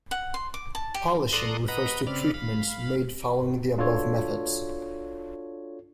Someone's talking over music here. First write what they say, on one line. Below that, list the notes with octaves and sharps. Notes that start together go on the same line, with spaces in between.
Polishing refers to treatments made following the above methods.
F#5
C6
D6
A5
G4
A4 D5 A#5 C6 D#6 F#6
B4 D#5 F#5 A#5 B5
C#3 C4 D5 B5 F6
F5 B5
D4 F4 F#4 A4 C#5